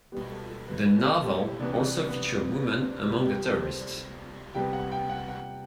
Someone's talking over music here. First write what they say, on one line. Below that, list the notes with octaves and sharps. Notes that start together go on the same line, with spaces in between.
The novel also features women among the terrorists.
B2 G3 B3 G4
A4
A4
B4
B4
A4
G4
E4
C3 E3 B3 D4
D4
B3
C4
B3
C4
D4
C3 G3 B3
G4
A4
C5
D5
C3 G3 B3 G5
F#5
G5
F#5
F#5